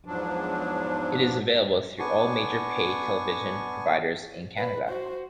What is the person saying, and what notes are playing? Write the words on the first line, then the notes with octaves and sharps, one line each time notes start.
It is available through all major pay television providers in Canada.
E2 G#2 F3 F#3 D4
B3 D4 G#5 C#6
B4
F#4 C5